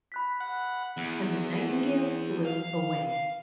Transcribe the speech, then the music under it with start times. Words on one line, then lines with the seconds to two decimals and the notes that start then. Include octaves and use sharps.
And the Nightingale flew away.
0.12 B5 F#6 B6
0.40 F#5
0.97 E2
2.46 F5